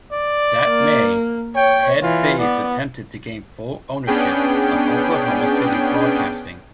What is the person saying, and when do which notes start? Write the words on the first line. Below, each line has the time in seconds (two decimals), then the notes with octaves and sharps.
That May, Ted Baze attempted to gain full ownership of Oklahoma City Broadcasting.
0.12 D5
0.69 A#3
1.56 C#5 G5
2.03 E3 F4
2.39 B3 D5
4.07 B3 C#4 D4 G#4 G5